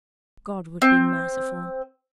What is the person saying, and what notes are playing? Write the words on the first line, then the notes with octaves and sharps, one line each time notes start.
God would be merciful.
C4